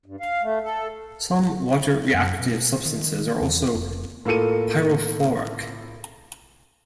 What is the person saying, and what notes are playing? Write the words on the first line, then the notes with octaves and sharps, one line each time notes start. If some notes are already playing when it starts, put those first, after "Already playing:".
Some water-reactive substances are also pyrophoric.
G2
F5
A3
A4
F#2
B2
D#3
E2
F1
A2 A#3 F4 A4 C#7 D#7